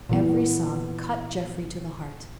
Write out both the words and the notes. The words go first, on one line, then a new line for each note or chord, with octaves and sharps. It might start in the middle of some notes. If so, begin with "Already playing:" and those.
Every sob cut Jeffrey to the heart.
A#2 E3 B3